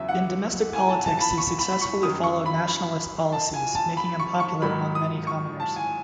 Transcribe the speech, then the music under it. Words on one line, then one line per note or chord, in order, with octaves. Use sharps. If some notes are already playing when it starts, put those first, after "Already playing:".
In domestic politics he successfully followed nationalist policies, making him popular among many commoners.
Already playing: E2 C#3 F#3 E5
F#5
G#5
A5
A5
A5
B5
C#6
B5
B5
C#6
F#2 D#3 F#3 D#6
C#6
B5
B5
A5
G#5
A5
B5
C#6
C#6
G#2 D#3 F#3 B5
D#6
C#6
A5
G#5